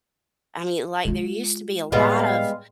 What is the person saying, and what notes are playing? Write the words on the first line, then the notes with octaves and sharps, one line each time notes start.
I mean, like, there used to be a lot of
G#3 F4
A2 G3 G#3 B3 F5